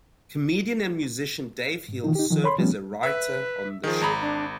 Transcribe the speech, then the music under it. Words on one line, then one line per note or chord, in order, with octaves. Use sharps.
Comedian and musician Dave Hill served as a writer on the show.
G#2
D#3 E3 D#4
D#4 G4
D#3 F3
C#5 B5 C6
F3 G3 A3 B3 C#4
B4 E5
D#3 F3 G#4
G#1 A#5 B5
D4